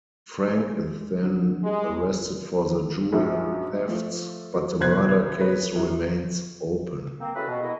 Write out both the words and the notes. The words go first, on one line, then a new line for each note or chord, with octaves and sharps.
Frank is then arrested for the jewel thefts, but the murder case remains open.
G#3
D3
G3 G#3
A#1 F#2 F3
F3 A3
F#4
D#1 C2 B2 C5 F#6 G#6
G#4 B4 C#5
F#2
A#3 C4
C#3 E3 F#4 A4 B4
B2
G#3 A#3 B3 E4 D#5